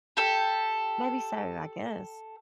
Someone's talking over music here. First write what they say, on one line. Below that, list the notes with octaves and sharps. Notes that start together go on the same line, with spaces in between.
Maybe so, I guess.
G4 A4